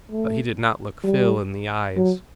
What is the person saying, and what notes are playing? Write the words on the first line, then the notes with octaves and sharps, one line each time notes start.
But he did not look Phil in the eyes.
A3
G3
F#3